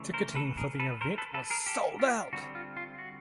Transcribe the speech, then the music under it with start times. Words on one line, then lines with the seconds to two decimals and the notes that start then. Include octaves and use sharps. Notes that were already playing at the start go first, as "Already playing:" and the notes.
Ticketing for the event was sold out.
Already playing: C#3 E3 A3
0.14 A#4 C5
0.35 A4 B4
0.57 G#4 A#4
0.80 A4 B4
1.01 A#4 C5
1.18 A4 B4
1.34 A4 B4
1.50 G#4 A#4
1.66 G4 A4
2.00 F4 G4
2.33 D3 G3 C4 F#4
2.55 F4
2.77 F4
2.98 F#4